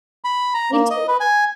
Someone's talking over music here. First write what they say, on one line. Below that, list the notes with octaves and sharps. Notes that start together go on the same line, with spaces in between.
Me too.
B5
A#5
A#3
D#5
B4
G#5